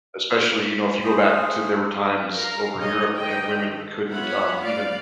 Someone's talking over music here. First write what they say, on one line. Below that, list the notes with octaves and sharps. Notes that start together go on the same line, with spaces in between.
Especially, you know, if you go back to there were times over in Europe, and women couldn't, um, even
A3 G#4 C5
A#4 F5 A#5
G3 G#3 D#4 C#5 D#5
D#3 D5 D#5 G5
A4
B3 F4 C#5 E5 F#5 B5
D5 F5